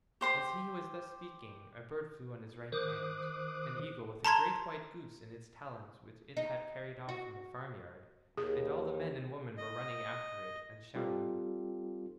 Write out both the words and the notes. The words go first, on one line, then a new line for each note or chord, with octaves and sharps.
As he was thus speaking a bird flew on his right hand--an eagle with a great white goose in its talons which it had carried off from the farm yard--and all the men and women were running after it and shouting.
G4 C5 C6
D#3 C5 D6 D#6 F#6
A5 A#5 C6 G#6
D#4
F#4
D#2 G#4
D#5
G3 C4 D#4 F4 G4 A4